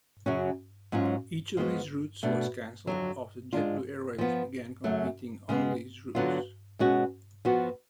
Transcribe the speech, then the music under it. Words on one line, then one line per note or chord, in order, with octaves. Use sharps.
Each of these routes was canceled after JetBlue Airways began competing on these routes.
F#2 C#3 F#3 C#4 F#4
G#2 F#3 C#4 F4
F3 G#3 B3 F#4
B2 A3 D4
F2 D3 F#3
G#2 G#3 D4 F4
F3 B3 F4
F#2 C#3 F#3 A3
C#3 G#3 B3
D3 F#3 B3 F4
B2 G#3 C#4 F#4
F3 B3 F#4